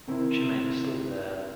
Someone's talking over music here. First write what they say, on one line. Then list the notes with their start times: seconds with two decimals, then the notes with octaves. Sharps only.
She made a slip there.
0.07 C3 D#3 C4 E4